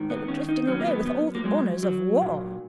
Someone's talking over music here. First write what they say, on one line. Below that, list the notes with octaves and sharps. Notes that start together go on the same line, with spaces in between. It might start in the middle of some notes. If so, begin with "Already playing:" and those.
They were drifting away with all the honours of war.
Already playing: G#2 D#3
B3
D#3 C#4
D#4
F#3 C#4
A#3
B3
F#2 B3
A#3
F#3 G#3
F#3
A#2